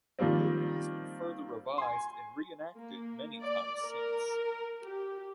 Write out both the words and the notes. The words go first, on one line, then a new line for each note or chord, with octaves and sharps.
The Code has been further revised and reenacted many times since.
D#3 F3 G3 A#3 C4
G#5 C6
A#3
D5
A#4
G4